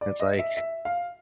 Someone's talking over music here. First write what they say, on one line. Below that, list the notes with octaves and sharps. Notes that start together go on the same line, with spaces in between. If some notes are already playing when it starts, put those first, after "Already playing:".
It's, like,
D5
D#5
E5
E5
F5